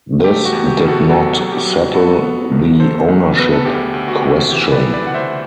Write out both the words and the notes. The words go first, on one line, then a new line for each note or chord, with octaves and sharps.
This did not settle the ownership question.
A3 G4
F#4
E2
G4
B2
F#4 A4
F#3 F#4 A4
F#3
G4
F#3
B3 F#4 A4
B3
B1
F#3 A4 C5
B1
B3 B4
A4
D2 G4
D2
F#4
C3
E3 G4
B4 D5
D2
B4 D5
D2 F#5
C5 E5